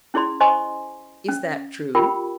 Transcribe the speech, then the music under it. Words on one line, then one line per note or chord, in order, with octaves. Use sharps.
Is that true?
C#4 E4 G#4 D5 C6
C5 D#5 G#5 C6 C#6
C#4
F4 G4 A#4 G5 B5